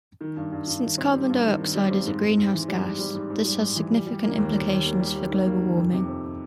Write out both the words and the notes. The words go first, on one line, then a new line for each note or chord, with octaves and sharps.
Since carbon dioxide is a greenhouse gas, this has significant implications for global warming.
D#3
G2
G2
G2
D#3
C4
G3
G2
D#3
D#3
G3
C4
G#2
G#2
G#2
E3
G3
G#2
G3
G#2
G#2
G3
G#2
E3
G3
G3
A#3
D#2
G3
D#2
A#3
G3
D#2
D#3
A#3
D#3
F2
C3
F2